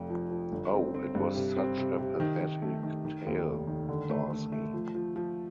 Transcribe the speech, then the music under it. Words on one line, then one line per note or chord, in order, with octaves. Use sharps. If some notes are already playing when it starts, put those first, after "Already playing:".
Oh, it was such a pathetic tale, Darcey.
Already playing: F1 F2
F3
F3
G1
C4
C4
G2
C3
C4
C3
C3
D#3
D#3
A3
D#3
D#3
D#2
F1
D#3
D3
A3
A3
A3
F3
F3
F3